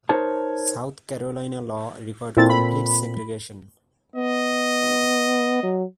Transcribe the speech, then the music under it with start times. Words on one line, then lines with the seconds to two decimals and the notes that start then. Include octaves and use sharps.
South Carolina law required complete segregation.
0.09 D#4 A#4 C5 C#5 A5
2.37 A#2 C4 E4 A4 A6
2.50 B5
4.16 B3 D#5
5.63 F#3